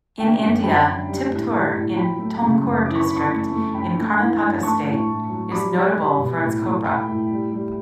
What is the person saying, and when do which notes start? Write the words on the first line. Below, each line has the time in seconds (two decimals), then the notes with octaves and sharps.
In India, Tiptur in Tumkur district in Karnataka state is notable for its copra.
0.19 D3 E5 G5
0.41 F#2
0.63 F#2 G5 B5
0.86 D3
1.08 G3
1.30 A2
1.52 G3
1.75 A2
1.97 F#3 G5 B5
2.19 A3
2.41 C#3
2.63 F#2
2.85 E3 D6
2.95 C#6
3.06 E3 B5
3.16 A5 C#6
3.30 A3
3.52 A3
3.74 G2 G5 B5
3.96 A3
4.18 E3
4.40 G2
4.62 A3 A5 C#6
4.85 A2
5.07 A2
5.29 F#3
5.51 G3 B5 D6
5.74 G3
5.96 G3
6.18 B2
6.40 A2
6.63 A3
6.84 A2 G5 B5
7.07 A2
7.29 G3
7.51 G3